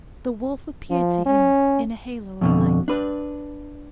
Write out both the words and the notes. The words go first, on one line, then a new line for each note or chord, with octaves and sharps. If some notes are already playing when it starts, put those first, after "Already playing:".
The wolf appeared to him in a halo of light.
F3
C#4
F2 B2 D3
D4 B4